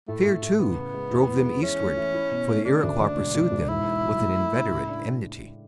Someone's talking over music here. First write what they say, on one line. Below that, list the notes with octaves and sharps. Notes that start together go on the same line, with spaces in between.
Fear, too, drove, them eastward; for the Iroquois pursued them with an inveterate enmity.
A2 A3
A2
A2
C#3 B3
C#3
G#3
E2
E2
G#3
E3 C#4
A3
E3
E4
B2
A3
C#3 D4
D2
D2
E1
E1
E1
G#2 E4
G#2
F#3
A3
A3
C#3
A2
D4